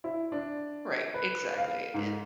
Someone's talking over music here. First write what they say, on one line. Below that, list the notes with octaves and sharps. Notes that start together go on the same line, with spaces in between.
Right. Exactly. It,
E4
D4
B4
F5
G#2